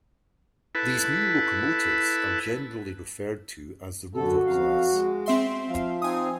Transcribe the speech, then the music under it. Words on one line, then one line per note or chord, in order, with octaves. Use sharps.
These new locomotives are generally referred to as the Rover class.
E4 A4 B4
F#2 D3 F#4 A4
F2 F5
G#3
C4 E5 C6
F3 F5
C4 D#4 G#5 D#6